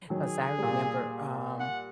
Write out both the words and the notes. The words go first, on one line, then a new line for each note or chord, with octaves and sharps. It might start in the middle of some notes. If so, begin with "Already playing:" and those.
'Cause I remember, um,
D#3 F#3 G#4
A#2 G3
F#5